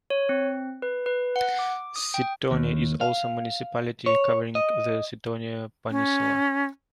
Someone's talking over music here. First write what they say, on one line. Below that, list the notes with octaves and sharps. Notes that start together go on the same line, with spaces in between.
Sithonia is also a municipality, covering the Sithonia peninsula.
C#5
C4
B4
B4
F#5
D6
D#6
G5
D#2
F5
C#5
D#5
C#4